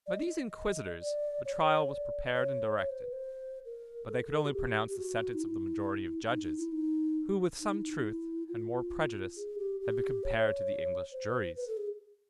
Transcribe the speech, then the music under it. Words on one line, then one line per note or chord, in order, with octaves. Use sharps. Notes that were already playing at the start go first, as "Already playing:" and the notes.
By these inquisitors the trial was prepared and directed; but they could only pronounce the sentence of the majority of judges, who with some truth, and more prejudice, have been compared to the English juries.
D5
D#5
D5
C#5
D5
C#5
D5
C#5
C#5
C5
B4
C5
A#4
A4
A#4
A4
F#4
G4
G4
F#4
D#4
E4
D#4
D#4
E4
D#4
D#4
E4
D#4
E4
F4
G#4
G4
G4
C#5
C5
B4
A4
G#4